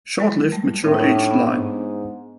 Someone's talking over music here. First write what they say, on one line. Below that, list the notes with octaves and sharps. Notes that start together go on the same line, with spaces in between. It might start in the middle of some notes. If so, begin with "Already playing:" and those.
Short-lived mature-aged line.
F#3 G#3
G3 A3
A2 C4 D4
E4
C#4 D#4
C4 D4
B3 C#4
G#2 C4 D4